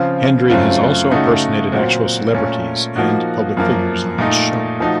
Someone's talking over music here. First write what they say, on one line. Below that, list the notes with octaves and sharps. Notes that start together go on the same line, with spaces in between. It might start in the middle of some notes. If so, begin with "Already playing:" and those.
Hendrie has also impersonated actual celebrities and public figures on his show.
Already playing: C#3 F3 C4 F4
F#2 C#3 A3 C4 F4
C#3 A3 D#4 F#4
A#2 F#3 C4 F#4
A#2 A3 C#4
F3 A#3 D#4 F#4
F#2 F3 A#3
A#2 A3 D#4
F3 A3 D#4 F#4